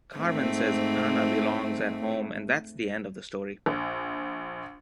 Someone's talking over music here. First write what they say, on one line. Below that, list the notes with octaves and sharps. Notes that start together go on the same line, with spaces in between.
Carmen says Ana belongs at home and that's the end of the story.
G#2 A3 C4
A#1